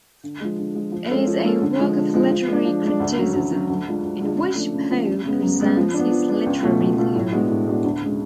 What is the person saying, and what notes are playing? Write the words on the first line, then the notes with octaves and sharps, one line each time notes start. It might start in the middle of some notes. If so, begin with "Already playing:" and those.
It is a work of literary criticism, in which Poe presents his literary theory.
D3
F3 G#3
D3
F3 G#3
F3
G#3 C#4 F4 A4
F3
G#3 C#4 F4 A4
D3
F3 G#3
D3
F3 G#3
F3
G#3 D4
F3
G#3 D4
D2
C#3 F#3
D2
C#3 F#3
D2
D3 G#3 D4 F4
D2
D3 G#3 D4 F4
C#3
F3 A3 D4
C#3
F3 A3 D4
F#2
C#3 G#3 B3
F#2
C#3 G#3 B3
F3
B3 D4
F3
B3 D4
C#2
B2 A3 F4
C#2
B2 A3 F4
A2
G#3 B3 D4 F#4
A2
G#3 B3 D4 F#4
D2
C#3 G#3